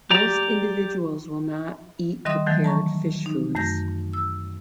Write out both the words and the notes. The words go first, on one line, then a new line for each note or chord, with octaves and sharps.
Most individuals will not eat prepared fish foods.
G4 D5 A#5
D#3 G3 D#5 E5 C6 D#6
D#3 E3 F#3 A3
A5 A#5 C#6
D#4
F#2 A3 G6 A#6
E6